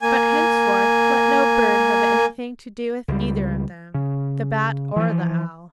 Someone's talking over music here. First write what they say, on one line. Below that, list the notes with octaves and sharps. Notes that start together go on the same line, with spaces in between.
But henceforth let no bird have anything to do with either of them, the Bat or the Owl.
A#3 G#5
C#2 G3
C#3
E3 F3